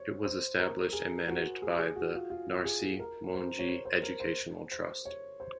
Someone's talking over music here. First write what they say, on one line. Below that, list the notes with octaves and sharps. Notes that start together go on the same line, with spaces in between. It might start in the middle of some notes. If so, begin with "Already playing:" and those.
It was established and managed by the Narsee Monjee Educational Trust.
Already playing: C5 C#5
C5
A#4
G#4
F#4
G#4
G#4
F#4
F4
F4
G#4
A#4
C5
C#5
C5
C5
A#4
C5
C5
C#5
C5